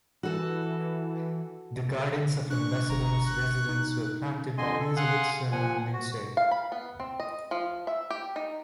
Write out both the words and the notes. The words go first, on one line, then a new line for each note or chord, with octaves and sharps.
The gardens of the ambassador's residence were planted by Elizabeth Sherman Lindsay.
E3 F#4 A4
D4 C#6 F#6
G1 A#5
F#6
D#4
F2 D3 D#5 G#5 C6
A4
F5 F#5 G#5 C6 D#6 F#6
A#2 F3 F#5 G#5
F#4
F5
B5
B3
C4
D#5
F3
E5
G4
D#4